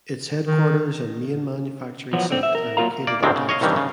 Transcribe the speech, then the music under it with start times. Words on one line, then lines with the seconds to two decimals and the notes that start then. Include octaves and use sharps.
Its headquarters and main manufacturing site are located in Darmstadt.
0.46 D#3
2.13 E2 F3 F#3 B3 F#4
2.30 D3 C4
2.43 E5
2.55 A#4
2.77 F#3 A#3 F4 A#4 F5 A#5
3.07 A#3 D5
3.23 D2 A2 C3 D#3 G#3 C4
3.36 C#3
3.49 C#5 D#5 F5
3.61 C2 G2 D#3 E3 G3
3.76 C#3